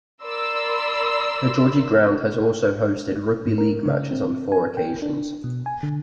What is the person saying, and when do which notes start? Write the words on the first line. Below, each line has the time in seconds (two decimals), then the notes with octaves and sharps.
The Gorgie ground has also hosted rugby league matches on four occasions.
0.23 A#4 D5 B5 C6 E6
3.46 G#2
3.58 A#4
3.86 C#3
4.11 C4
4.52 G#5
4.77 G5
5.02 D4
5.44 B2
5.66 G#5
5.83 D3